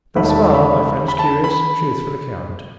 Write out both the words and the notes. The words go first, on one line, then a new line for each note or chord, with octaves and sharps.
Thus far my friend's curious and truthful account.
E1 D#2 D#3 A3 B5
A5
B5
B5
A5
B5